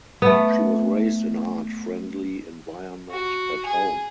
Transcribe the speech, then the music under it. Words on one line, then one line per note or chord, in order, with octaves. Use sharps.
She was raised in art friendly environment at home.
A3 B3
F#4
G#4